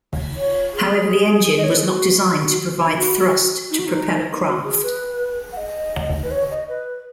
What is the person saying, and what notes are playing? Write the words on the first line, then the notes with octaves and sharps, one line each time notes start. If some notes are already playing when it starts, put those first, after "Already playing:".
However, the engine was not designed to provide thrust to propel a craft.
C#5
G#4
D#5
C#5
B4
G#4
F#4
D#4
F#4
D#4
F#4
D#4
F#4
G#4
B4
F#5
D#5
B4
C#5
D#5
B4